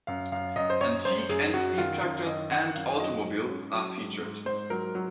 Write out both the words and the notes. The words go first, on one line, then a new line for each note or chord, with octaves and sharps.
Antique and steam tractors and automobiles are featured.
F#2 F5
F#2 F5
F#2 D#5
C5
F#2 C#5
F#2 C5
F#2 G#4
F#2 F#4
D#3 F4
F#2 F4
D#3 D#5
D#3 F#5
F#2 F5
F#3 D#5
G#2
C#4
F#3
G#2
G#2
G#2 C5
F#3 A#4
F#3